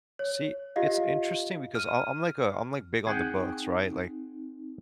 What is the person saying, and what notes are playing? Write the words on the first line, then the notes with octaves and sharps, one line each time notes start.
See, it's interesting because I I'm, like, a I'm, like, big on the books, right? Like,
C#5
F4 G4 D#5 F5
F6 D#7
C4 D#4 G#4 F#5 G5